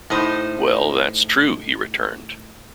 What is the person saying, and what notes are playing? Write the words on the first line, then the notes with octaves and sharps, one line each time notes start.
"Well, that's true," he returned.
A2 D#4 C5